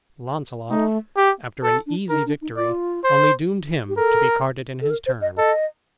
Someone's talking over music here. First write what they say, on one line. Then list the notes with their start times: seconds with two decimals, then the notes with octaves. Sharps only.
Launcelot, after an easy victory, only doomed him to be carted in his turn.
0.70 A3 D#4
1.17 G4
1.63 A4
1.86 D4
2.09 D#4 A#4
2.26 D4
2.42 D#4
2.57 F4 D5
3.04 C5
3.89 G4
3.97 A4 A#4
4.81 A4
4.90 A#4
5.06 C5
5.22 D#5
5.37 A4 D#5